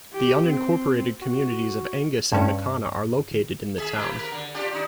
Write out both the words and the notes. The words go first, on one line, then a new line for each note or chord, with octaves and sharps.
The unincorporated communities of Angus and Mikana are located in the town.
G4
C4
F#4
G2 C#4
G#4 E5
A3 E4 G4
A#4 B4
D3
D4 F4 G4
D4 D#4